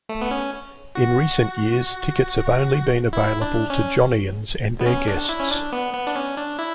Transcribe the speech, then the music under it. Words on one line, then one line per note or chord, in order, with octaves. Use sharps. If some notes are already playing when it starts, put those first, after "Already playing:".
In recent years, tickets have only been available to Johnians and their guests.
A3
B3
C#4
F#4
E4
D4
C#4
B3
C#4
D4
E4
C#4
D4
B3
B3
D4
C#4
D4
E4